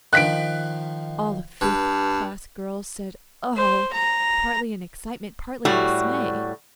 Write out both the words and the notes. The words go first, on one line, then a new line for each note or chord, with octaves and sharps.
All the fifth-class girls said, "Oh!" partly in excitement, partly in dismay.
D#3 F3 F#6 B6 D7
G2 B4
C5
A#5
A2 G3 F#4